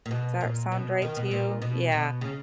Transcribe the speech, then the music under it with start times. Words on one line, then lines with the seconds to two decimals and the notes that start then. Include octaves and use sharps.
Does that sound right to you? Yeah.
0.06 A#2
0.11 B2
0.41 A#2
0.72 B2
1.02 D#3
1.16 B2
1.31 A#2
1.62 B2
1.92 B2
2.21 C#3